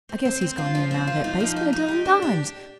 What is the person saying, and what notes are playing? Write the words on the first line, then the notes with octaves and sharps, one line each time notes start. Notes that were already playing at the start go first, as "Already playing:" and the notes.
I guess he's gone in and out of that basement a dozen times.
C4
C4
C4
F4
F3
C4
F4
D#4
F3
D#4
D#4
G4
D4
G4